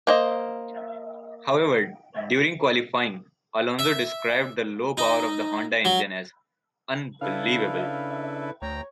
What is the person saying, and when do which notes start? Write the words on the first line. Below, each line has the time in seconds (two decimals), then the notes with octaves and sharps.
However, during qualifying Alonso described the low power of the Honda engine as "unbelievable".
0.07 A#3 C5 D#5
3.79 E5
4.97 D#4
5.85 F#3
7.22 C#3 D4 E4 A4 B4 F5
8.62 D2 C#5 G5 A#5
8.76 C#5